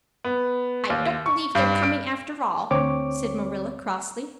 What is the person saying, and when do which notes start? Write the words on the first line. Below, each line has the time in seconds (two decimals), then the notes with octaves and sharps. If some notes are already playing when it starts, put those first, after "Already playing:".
"I don't believe they're coming after all," said Marilla crossly.
0.24 B3
0.90 D#2
1.26 C#6
1.55 G2
1.83 D7
2.71 D2 C4 C#5 D6